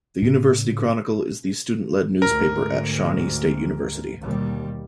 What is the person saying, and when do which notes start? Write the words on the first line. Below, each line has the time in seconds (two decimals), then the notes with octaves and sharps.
The University Chronicle is the student-led newspaper at Shawnee State University.
0.22 A2 C#3
2.22 D2 G#2 A#4
4.22 D#2 B2 G3